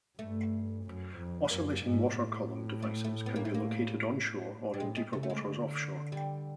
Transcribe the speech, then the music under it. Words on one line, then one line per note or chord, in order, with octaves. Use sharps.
Oscillating Water Column devices can be located on shore or in deeper waters offshore.
G2 A3
F#2
F2
F#2 A#3
G#2
A2
A3
A3
B3
A#3
A3
A#3
G3
A2 G#3
G#3
C#3 A3
A3
G#3
D3
G3